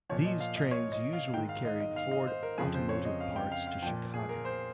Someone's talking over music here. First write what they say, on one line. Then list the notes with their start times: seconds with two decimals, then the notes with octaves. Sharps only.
These trains usually carried Ford automotive parts to Chicago.
0.09 A#2 F3 C#5
0.25 D#5
0.40 F5
0.56 D#5
0.71 C#5
0.92 D#5
1.13 F5
1.33 G#2 G5
1.36 D#3
1.49 F5
1.65 D#5
1.80 D#5
1.96 F5
2.11 D#5
2.27 C5
2.43 A#4
2.58 F2 C#3 F3 G#4
2.74 C5
2.89 C#5
3.05 D#5
3.20 F5
3.36 G5
3.52 F5
3.67 F5
3.82 F3 G5
3.87 A#2
4.14 G#4
4.29 A#4
4.45 C5